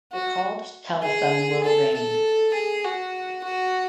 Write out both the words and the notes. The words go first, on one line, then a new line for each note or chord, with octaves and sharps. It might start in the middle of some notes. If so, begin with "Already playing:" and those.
The called telephone will ring.
F#4
G#4
A4
A4
G#4
F#4
F#4